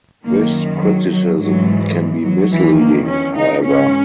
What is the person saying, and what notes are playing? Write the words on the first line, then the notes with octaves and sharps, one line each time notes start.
This criticism can be misleading, however.
F#2 D#3 A#3
F#3
F#3
G#2 E3 F#3
F#3
E2 D#3 E3
A#3
C#4
D#4
G#2 E3 C#4